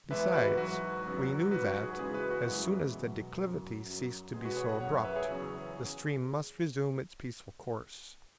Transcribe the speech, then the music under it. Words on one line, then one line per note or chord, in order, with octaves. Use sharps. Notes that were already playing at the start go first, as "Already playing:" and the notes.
Besides we knew that, as soon as the declivity ceased to be so abrupt, the stream must resume its peaceful course.
E2 E3 G#3 B4 E5
F#4 B4
G#2 F#3 F#4 B4
E2 C#3 F#3
G#2 F#3 F#4 B4
F#4
G#4
B4
E2 C#3 E3 G#3 G#4
F#4 B4
F#4 B4
F#2 E3 G#3
B2 F#3
F#2 F#3
F#2 F#3
B2 G#3 G#4
F#4 B4
G#4 C#5
C#5 F#5
F#2 F#3 C#5 F#5
B4 E5
G#4 C#5
E2 C#3 F#3